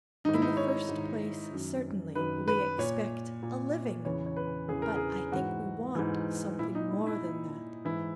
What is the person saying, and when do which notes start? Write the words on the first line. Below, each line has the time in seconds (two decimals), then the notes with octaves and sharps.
In the first place, certainly, we expect a living, but I think we want something more than that.
0.25 G#2 D#3 D#4
0.34 E4
0.42 D#4
0.57 C#5
0.88 G#2 D#3
1.52 F#2 D#3
2.15 F#2 D#3 B4
2.48 B4
2.78 A#2 C#5
3.43 A#2
4.05 E2 C#3 E3 C#5
4.26 C#5
4.36 B4
4.68 E2 C#3 E3 G#4
4.82 A#4
4.96 G#4
5.32 G#2 E3 F#4
5.95 G#2 E3
6.59 A#2 E4
6.75 D#4
6.90 E4
7.07 E4
7.23 A#2
7.85 G#2 E3 E4